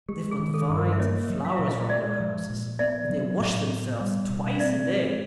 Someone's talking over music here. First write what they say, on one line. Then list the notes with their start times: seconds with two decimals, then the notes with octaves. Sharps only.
They've got vines and flowers round their houses, and they wash themselves twice a day.
0.09 G#3 G4
0.31 G#4
0.40 D#3
0.54 A4
0.69 G2
0.77 A#4
0.93 E5
1.00 A#3 C#5 D#5
1.30 F#3
1.45 F5
1.56 A#2 E5
1.67 D#5 F5
1.89 G#3 D5 E5
2.20 F3
2.50 A#2
2.79 B3 D5 E5
3.10 F#3
3.40 A2
3.70 B3
4.00 G3
4.30 B2
4.48 F5
4.60 C4 D5 E5
4.90 G#3